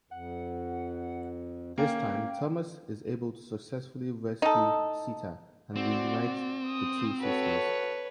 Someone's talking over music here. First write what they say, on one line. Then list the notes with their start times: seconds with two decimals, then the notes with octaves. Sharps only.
This time Thomas is able to successfully rescue Sita and reunite the two sisters.
0.11 F2 F#5
1.78 A#3 C#4 F5 G5
4.42 D#4 A4
5.76 C4 F#4 D5
6.67 D#6
7.20 F#4 A4 B4 C#5